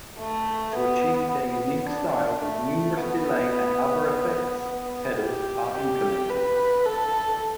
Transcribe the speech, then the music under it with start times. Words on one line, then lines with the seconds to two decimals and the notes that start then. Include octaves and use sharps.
To achieve their unique style, numerous delay and other effects pedals are implemented.
0.20 A3
0.75 B3
1.31 B3
1.86 D4
2.41 A3
2.97 B3
4.63 B3
5.19 G4
5.74 G4
6.29 B4
6.85 A4